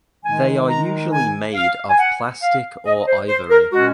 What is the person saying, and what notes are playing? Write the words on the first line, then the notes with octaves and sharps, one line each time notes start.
They are usually made of plastic or ivory.
D#3 G#3 D#4 G#5
A#5
G#5
F5
G#5
F#5
F5
D#5
C5
C5
A#4
A#2 G#3 C#4 F#4